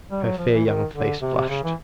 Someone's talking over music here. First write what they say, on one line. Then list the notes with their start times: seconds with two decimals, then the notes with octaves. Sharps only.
Her fair young face flushed.
0.10 G3
0.24 F#3
0.38 F3
0.52 E3
0.65 D#3
0.94 D3
1.21 C3
1.35 C3
1.49 C#3
1.64 E3